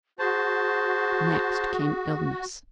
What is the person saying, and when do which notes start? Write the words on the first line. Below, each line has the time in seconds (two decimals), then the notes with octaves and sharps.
Next came illness.
0.19 F#4 G#4 C5 A5